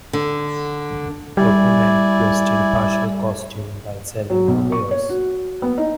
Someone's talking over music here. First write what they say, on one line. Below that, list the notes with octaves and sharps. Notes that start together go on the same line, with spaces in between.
A woman dressed in a partial costume while selling her wares.
D3
G3 E4 D5 G#5
F#3
B1
C#6
C#5
F#4
B3
D#4